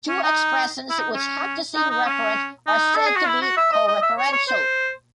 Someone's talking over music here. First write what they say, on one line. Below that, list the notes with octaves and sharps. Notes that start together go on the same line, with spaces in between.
Two expressions which have the same referent are said to be co-referential.
C#4
D#4
E4
D#4
C#4
D#4
D#4
C#4
D#4
A4
G#4
F#4
E4
F#4
E5
D#5
D#5
E5
C#5
C#5
C5